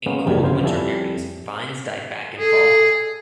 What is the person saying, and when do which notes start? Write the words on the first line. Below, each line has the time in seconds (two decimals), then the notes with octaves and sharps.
In cold winter areas, vines die back in fall.
0.06 G#3 A#3 B3 C#4
0.26 A#1 F#2 A#2 C#3 F#3 G3
0.42 G1 C#3 B3 C5 F5
0.63 F2 G3 E4 G#5 A5
2.39 G#4 A4